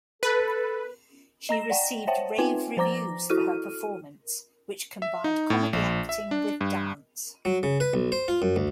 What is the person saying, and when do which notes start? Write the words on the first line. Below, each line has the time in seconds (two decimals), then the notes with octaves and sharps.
She received rave reviews for her performance, which combined comedy acting with dance.
0.23 A4 B4
1.49 D#5 A#5 A#6 E7
1.70 D5 F#5 G5
2.07 C5 C#5 E5 F#5 G5 A5
2.38 C4 D#4 F4 B4 G5 G#5
2.77 F3 C5 A#5 D6 A#6
3.30 E4 F#4 A4 F6 D#7
5.02 E5
5.24 D#4
5.50 A2
5.73 A#1
6.09 E5
6.31 D4
6.61 G2
7.45 F#3
7.63 C#3
7.80 B4
7.94 B1
8.12 C5
8.28 F4
8.42 F#2
8.56 D2